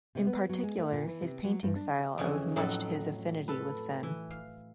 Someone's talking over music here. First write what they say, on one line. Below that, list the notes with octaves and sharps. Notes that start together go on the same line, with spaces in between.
In particular, his painting style owes much to his affinity with Zen.
C3
B3
F#3
G#3
A3
A#2
E3
C3
F#3
G2
D4
F2 C#3 E3 G#5
F2 A2 F#3 D#4 A4 F#5
A4 B4
E3
F5